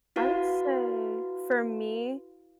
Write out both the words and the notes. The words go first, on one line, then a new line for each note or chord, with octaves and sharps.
I would say for me,
E4 F#4 B4 F5